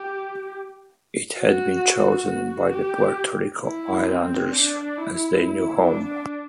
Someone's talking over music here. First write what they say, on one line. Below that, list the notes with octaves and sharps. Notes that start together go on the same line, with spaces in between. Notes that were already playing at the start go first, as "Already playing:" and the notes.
It had been chosen by the Puerto Rico Islanders as their new home.
Already playing: G4
F#4
F#4
G4
E4
C4
D4
E4
E4
D4